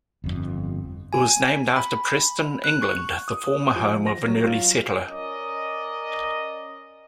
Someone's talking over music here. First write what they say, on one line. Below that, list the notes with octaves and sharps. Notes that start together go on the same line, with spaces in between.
It was named after Preston, England, the former home of an early settler.
G1 F2
G#5
B5
F#6
C#6
D#6
D#6
F3
A#6
F#3
F4
C#4 A#4 D5 D#5